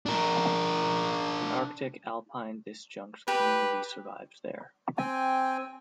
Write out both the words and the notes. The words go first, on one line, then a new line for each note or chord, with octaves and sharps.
An Arctic-alpine disjunct community survives there.
D4 A#4
G4 B4
C4 G5 G#5